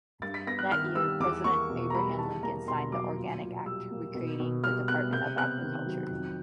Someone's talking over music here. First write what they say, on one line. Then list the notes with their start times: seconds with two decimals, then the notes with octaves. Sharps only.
That year, President Abraham Lincoln signed the Organic Act recreating the Department of Agriculture.
0.22 G2 A6
0.34 B6
0.47 B3 A#6
0.59 F#6
0.71 D#3 F6
0.95 G3 E6
1.20 E2 D6
1.44 A#3 C#6
1.70 B2
1.90 A#5
1.94 G3 B5
2.19 E2 A5
2.43 A#3 A#5
2.67 B2 C6
2.92 F#3 D6
3.17 A#2
3.42 A#2
3.65 G3 E6
3.91 A#3
4.14 B2
4.40 B2
4.64 G3 F6
4.88 B3 F#6
5.13 C3 G6
5.37 B3 F#6
5.62 D#3
5.86 F#3
6.11 F2